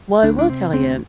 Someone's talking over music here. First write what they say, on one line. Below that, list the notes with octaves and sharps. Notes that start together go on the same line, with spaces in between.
Well, I will tell you,
D2 D4
D4
C3 C4
D2 C4